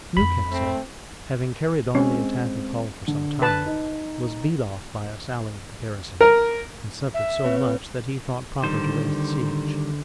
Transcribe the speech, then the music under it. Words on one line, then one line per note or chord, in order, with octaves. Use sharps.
Newcastle, having carried on the attack of Hull for some time, was beat off by a sally of the garrison, and suffered so much that he thought proper to raise the siege.
F2 G#3 B5
A3 C4
G#3 C4 C#4
D3
B4 A5
D#4
A#4
E5
C4 B4 C#5
D3 D#3 G3 C5